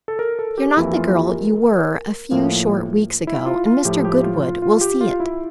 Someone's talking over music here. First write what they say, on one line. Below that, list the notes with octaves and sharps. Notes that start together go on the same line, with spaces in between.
You're not the girl you were a few short weeks ago, and Mr. Goodwood will see it.
A4
A#4
A4
G4
F2 E3 A#3 E4
F4
G4
A#4
A#4
A2 F3 A#3
E4
F4
F4
A2 F3 A3 G4
G4
F4
F4
F4
G4
F4
E4